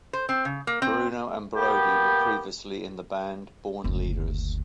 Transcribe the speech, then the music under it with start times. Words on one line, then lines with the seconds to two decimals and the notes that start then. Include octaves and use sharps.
Bruno and Brodie were previously in the band Born Leaders.
0.13 C5
0.29 C4
0.45 C#3
0.67 A#3
0.82 C4
1.57 A#3 B3 G4
3.84 F#1 D2